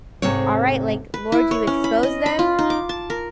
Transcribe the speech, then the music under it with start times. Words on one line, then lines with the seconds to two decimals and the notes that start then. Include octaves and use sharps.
All right, like, "Lord, you expose them,
0.22 G#2 C3 A3 C4 C#5
1.14 B4
1.32 E4
1.51 C#5
1.67 C#4
1.84 B5
2.03 D#5
2.26 B5
2.39 F4
2.59 D#4
2.70 D6
2.89 A5
3.10 A#4